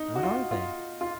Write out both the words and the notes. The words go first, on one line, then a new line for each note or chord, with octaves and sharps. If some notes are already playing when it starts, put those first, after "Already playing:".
What are they?
Already playing: D#4
F#4
F4
F4
F4